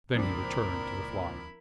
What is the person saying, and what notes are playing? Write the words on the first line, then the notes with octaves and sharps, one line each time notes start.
Then he returned to the flier.
C#2 A#2 F3 C4 D4 E4 A#4 B5